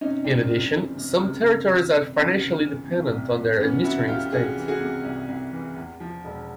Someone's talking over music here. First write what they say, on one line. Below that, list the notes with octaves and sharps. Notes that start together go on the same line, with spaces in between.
In addition, some territories are financially dependent on their administering state.
C3 C#4 D#4
C#2 C4 D4
C#2
E3
C3
C#2
C#2
E3
C3
C#2 B3 C#4
C#2
E3
C3
C2
C2
E3 B3 C#4
C3 E4 F#4
C2 F4 G4
C2 F#4 G#4
E3
F#4 G#4
C3
C2
C2
E3
E2
F3
E1